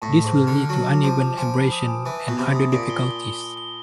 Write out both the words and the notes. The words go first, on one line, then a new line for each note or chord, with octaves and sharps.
This will lead to uneven abrasion and other difficulties.
A2 A5
A5
G#2
F6
D3
F6
F#3 A5
D6
F3 A5
D6
F3 G#5
B5
D#6
G#5
E3 G#5
G#5
B2
C3 B5
D#6
A#2 D7
G7
G7
G7
G7
G7